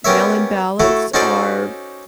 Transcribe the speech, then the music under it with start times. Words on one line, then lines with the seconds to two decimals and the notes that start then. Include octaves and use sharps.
mail-in ballots are
0.05 B3 C#4 G4 A#4 C#5 E5
0.80 A3 E4 F#4 A4
1.14 C#4 D#4 F#4 A4 C5 D5